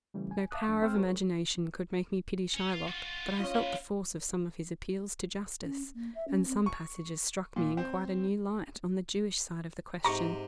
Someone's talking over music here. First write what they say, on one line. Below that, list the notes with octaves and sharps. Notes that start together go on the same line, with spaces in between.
No power of imagination could make me pity Shylock, but I felt the force of some of his appeals to justice; and some passages struck me in quite a new light on the Jewish side of the question.
C#3 E3 G3 A3 C#4
G#5
E5 F5 A5 D6 D#6 F#6
G2 F3 D4
D#2 C4 G5 C6 E6 F6
F#4 G#4 A#4 C5 C#5 C#6
C#4
F4
F4 F#4
C#4 F4 D#5
A#3 B4
C#4
A#3
E5
C#4
C4
C#6
A#2
C4
G#2 C3 A#5 C#6